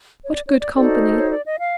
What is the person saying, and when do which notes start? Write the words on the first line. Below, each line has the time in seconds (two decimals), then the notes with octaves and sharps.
What good company!
0.23 C#5
0.31 D5
0.46 C#5
0.60 D5
0.74 D#4 F#4 A4 C5 D5
1.13 D5
1.17 C#5
1.31 D5
1.45 D#5
1.59 F5